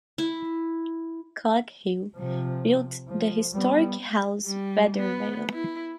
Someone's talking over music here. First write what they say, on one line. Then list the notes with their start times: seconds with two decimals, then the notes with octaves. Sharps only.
Coghill built the historic house Bedervale.
0.18 E4
2.17 C3 F3
3.08 F3
3.53 G3 B3
4.46 G3
4.98 B3
5.54 E4